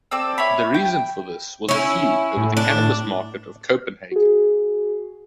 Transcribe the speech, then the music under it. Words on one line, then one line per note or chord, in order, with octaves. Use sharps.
The reason for this was a feud over the cannabis market of Copenhagen.
C4 A4 D5 E6
E4 C#5 B5
G5
C#4 E4
A2
D4
F#4 G#4